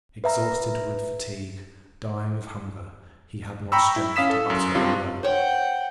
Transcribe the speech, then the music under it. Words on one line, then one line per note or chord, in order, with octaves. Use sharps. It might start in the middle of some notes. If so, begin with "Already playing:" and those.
Exhausted with fatigue, dying of hunger, he had not strength to utter a word.
B4 E5 A#5
G5 A#5 B5 C#6 E6
E4
C#4 F5 D#6 B6 E7
A4
F#2
G2 C3 F4
C5 C#5 F#5 G5